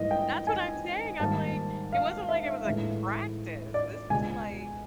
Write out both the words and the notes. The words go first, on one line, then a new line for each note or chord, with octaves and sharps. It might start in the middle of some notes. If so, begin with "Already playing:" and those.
That's what I'm saying, I'm like, it wasn't like it was, like, practice, this was, like
Already playing: G#2 E3 G3 A#3 D#5
G5
G#5
G#2 D#3 G3 A#3 A5
F5
E5
A2 E3 G#3
D5
C#2 B2 G#3 G#5